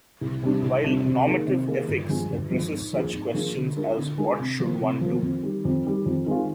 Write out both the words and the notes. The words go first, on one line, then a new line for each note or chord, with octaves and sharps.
While normative ethics addresses such questions as What should one do?
C2
C3 G3 D4
C2
C3 G3 D4
C3
D#3 A#3 D#4 G#4
C3
D#3 A#3 D#4 G#4
G1
G2 F3 G#3
G1
G2 F3 G#3
G#2
F3 A#3 D4 G#4
G#2
F3 A#3 D4 G#4
D3
G#3 D4 F4 A#4
D3
G#3 D4 F4 A#4
C3
F3 A#3
C3
F3 A#3
F2
D#3 G3
F2
D#3 G3
F2
D#3 G#3 C4 F4